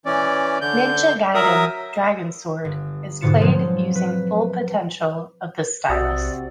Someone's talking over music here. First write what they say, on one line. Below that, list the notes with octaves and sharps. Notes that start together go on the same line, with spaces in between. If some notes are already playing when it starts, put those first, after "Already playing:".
"Ninja Gaiden: Dragon Sword" is played using full potential of the stylus.
E3 C#4 D5
D3 G6
F#3 A#4 E5 D#6
G1
G#2 B2 D3 F4 C#7 E7
F3 F#3 G#3 C4
B4
B1 C3 F#4 D5 F#5 D#6 E6